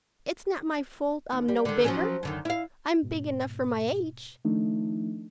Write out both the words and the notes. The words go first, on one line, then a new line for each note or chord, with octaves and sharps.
"It's not my fault I'm no bigger. I'm big enough for my age."
D#2
G3
D3 D#3
F3 F#3 C#4
F#2 D3 D#3
E4 F5
G#2 B2
D#3 F3 A3 D4 D#4